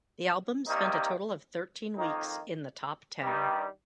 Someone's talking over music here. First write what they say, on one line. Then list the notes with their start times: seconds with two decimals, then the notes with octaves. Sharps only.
The album spent a total of thirteen weeks in the top ten.
0.66 C3 D#3 G3 A#3 D#4
1.95 F2 D#3 A#3 D#4
3.21 G2 D#3 G3